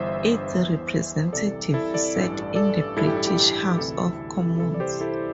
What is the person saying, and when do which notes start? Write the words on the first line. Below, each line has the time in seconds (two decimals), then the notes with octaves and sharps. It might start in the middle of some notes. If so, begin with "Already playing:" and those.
Its representatives sat in the British House of Commons.
Already playing: G1 G2 E3 C5 E5
0.51 E2 E3
1.33 C2 C3 E3 A4 D5
1.74 E4 A4
1.94 A4 D5
2.15 A1 G2 E3
2.55 A4 D5
2.97 A1 G2 E3 E4 A4
3.07 G4
3.17 E4
3.27 G4
3.78 D2 C3 E3 E4 A4
4.60 C2 C3 E3 E4 A4
4.74 D5
4.80 G4 C5
5.01 E4 A4